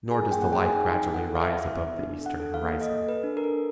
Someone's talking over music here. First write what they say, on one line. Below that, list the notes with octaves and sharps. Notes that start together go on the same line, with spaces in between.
Nor does the light gradually rise above the eastern horizon.
G#4 G#5
A#3 G5
F#5
G#4 G5
G#5
D#4 G5
D#4
A4 F#5
E4 F5
E5
E4
E5
B3
D4
A4
F#5
A4
F5
A#3
A4 D#5
A4
B4
D4
A#4
A4